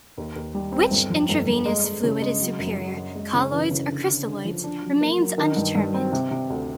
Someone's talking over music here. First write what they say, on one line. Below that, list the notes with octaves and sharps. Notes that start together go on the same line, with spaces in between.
Which intravenous fluid is superior, colloids or crystalloids, remains undetermined.
D#2
D#2
G3
C4
G1
F2
G1
G1
G#3
G#3
C#3
G#3
F#3
F#2
F#3
F#2
G#3
C#3
E3
C#3
D3
D3
D3
F3
D4
F#3
A#3
F#3
D#3
G2
G2
C4
C3
C3
D2